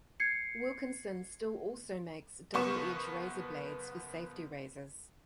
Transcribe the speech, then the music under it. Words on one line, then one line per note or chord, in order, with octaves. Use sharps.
Wilkinson still also makes double edge razor blades for safety razors.
G#6 C7 C#7
F#1 B3 C#6 E7